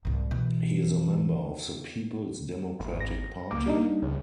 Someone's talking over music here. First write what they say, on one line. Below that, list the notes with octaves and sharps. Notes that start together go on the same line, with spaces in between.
He is a member of the People's Democratic Party.
C2 G#2
B2 E3
G#1
A#6
C#2 A#3 D6
G3 D4 D#4
C#2 C#3 C#4